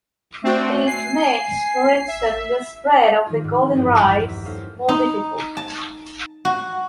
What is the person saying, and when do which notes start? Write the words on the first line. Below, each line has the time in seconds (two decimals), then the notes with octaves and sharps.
It makes, for instance, the spread of golden rice more difficult.
0.44 A3 C4 D4 F#4
0.87 G#5 C7
2.08 E5
3.26 D#3 F3 D4 D#4 F4
3.44 G#2
3.75 A1 G2 C4 E4 C5 D#6
4.06 A#1 E2 D4 F5 G5 A#5
4.28 E6 B6
4.44 A#3 C#4 D#4 A4 C5 F5
4.89 D#4
5.57 A5
6.45 F#4